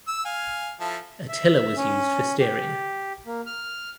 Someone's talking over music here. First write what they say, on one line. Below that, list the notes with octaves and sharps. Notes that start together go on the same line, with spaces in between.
A tiller was used for steering.
E6
F5 G#5
F3 E4 A4
E5
E5
C#4
G4
A#3
F6